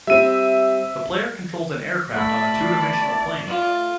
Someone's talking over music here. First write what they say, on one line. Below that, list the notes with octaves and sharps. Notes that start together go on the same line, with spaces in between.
The player controls an aircraft on a two-dimensional plane.
G3 C4 E5 D#7
A3 D5 A5 B5
F4